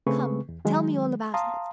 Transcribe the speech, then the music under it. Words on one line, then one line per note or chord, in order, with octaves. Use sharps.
"Come, tell me all about it."
C#3 A3 C4 G#4 B4 C#6
E2
D#3 F#3 G#3
F5 A5 A#5 C6 D#6